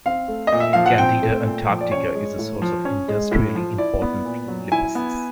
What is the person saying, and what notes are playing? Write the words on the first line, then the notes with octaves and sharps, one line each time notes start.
"Candida antarctica" is a source of industrially important lipases.
C4 F5
A3
D#5
A#2
E5
F3 F5
F#5
C4 G5
A3
A#2
F3
D5
C#4 C#5
G#3
A2
F3
C#4
G#3
A2
F3
E4 D5
B3
A#2
F#3
E4 G#5
B3